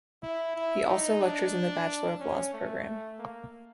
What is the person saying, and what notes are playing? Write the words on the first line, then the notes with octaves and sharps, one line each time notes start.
He also lectures in the Bachelor of Laws program.
E4
E4
D#4
D4
C#4
A3
A#3